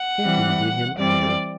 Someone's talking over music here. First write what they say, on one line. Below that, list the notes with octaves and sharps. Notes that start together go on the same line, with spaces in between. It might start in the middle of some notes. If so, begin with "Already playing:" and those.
Canton did him honor.
Already playing: F#5
E3 G3 C4
E3 G3 C4 D5